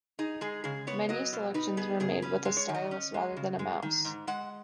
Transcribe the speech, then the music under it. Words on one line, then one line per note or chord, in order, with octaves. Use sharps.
Menu selections were made with a stylus rather than a mouse.
D#4 G#4
G#3 G#4
C#3 G#4
B3 C#5
F#3 D#5
B2
D#4 B4
B3 G#4
C#3 G#4
C#4 B4
G#3
C#5
D#3
D#5
C#4
G#3
C#3
G#3
D#3
G#2
G#3 F#5